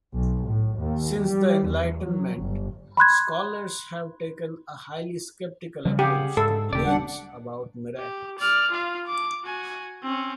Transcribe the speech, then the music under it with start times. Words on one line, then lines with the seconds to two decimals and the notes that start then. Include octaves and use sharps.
Since the Enlightenment, scholars have taken a highly skeptical approach to claims about miracles.
0.14 B1
0.48 A2
0.78 D#2
1.21 G3
1.67 E2
2.05 F#3
2.38 G1
2.97 B5 C6 F#6 G#6
5.85 C#3 F3 G3
5.99 G4 G#4 F5 F#5
6.37 G#2 A4
6.73 D#1 C#3 A#3 G4 D5
6.86 D#2 G3 D4 F#5
7.98 G4
8.38 D5 F6
8.71 F4 F5
9.07 D6
9.44 F#4 G#5
10.03 C4 C#4